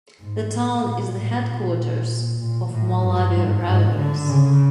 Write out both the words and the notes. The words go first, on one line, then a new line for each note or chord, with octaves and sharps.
The town is the headquarters of Malawi Railways.
G#2
A2
A#2
A2
A#2
A#2
A2
G2
G#2
G#2
D3
C#3